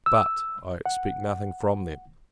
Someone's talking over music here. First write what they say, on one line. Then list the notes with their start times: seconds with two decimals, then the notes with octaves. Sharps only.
But, I expect nothing from them.
0.06 E6
0.86 F#5